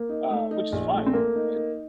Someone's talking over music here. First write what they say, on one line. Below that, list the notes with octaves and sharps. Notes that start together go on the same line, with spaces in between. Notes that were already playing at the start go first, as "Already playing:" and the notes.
uh, which is fine, but
Already playing: A#3
D#4
A3
D#4
A#1
A3
C4
A3 A#3
D#4
D#4